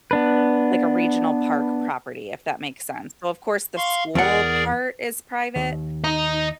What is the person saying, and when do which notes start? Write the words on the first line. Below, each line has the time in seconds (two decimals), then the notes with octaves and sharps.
like, a regional park property, if that makes sense. So, of course, the school part is private,
0.11 B3 D4 B4
3.77 F5 C6 C#6
4.15 E2 G#4 A#4 D5 F#5
5.56 D#2
6.04 D#5 A#5